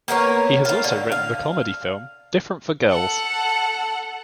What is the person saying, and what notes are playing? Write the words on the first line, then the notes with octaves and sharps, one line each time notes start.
He has also written the comedy film "Different for Girls".
A#3 B3 A#4 C#5
F4 F5
D3
F5
A4 F#5